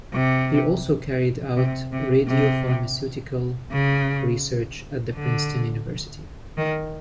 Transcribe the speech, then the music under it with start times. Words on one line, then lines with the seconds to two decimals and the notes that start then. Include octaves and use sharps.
He also carried out radiopharmaceutical research at Princeton University.
0.14 C3
1.57 C3
1.92 C3
2.28 C3
3.72 C#3
5.15 D3
6.57 D#3